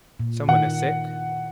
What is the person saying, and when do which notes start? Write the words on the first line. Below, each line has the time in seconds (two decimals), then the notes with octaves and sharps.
"Someone is sick?"
0.20 A#2
0.48 D#3 F#5